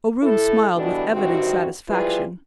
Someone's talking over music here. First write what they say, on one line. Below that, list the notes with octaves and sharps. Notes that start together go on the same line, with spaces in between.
O'Roon smiled with evident satisfaction.
E4 A4
B2 D3 E3 G3 D4 F#4
G2 C3 D#3 C4 F#4
F3 G3 E4 F4 G#4 B4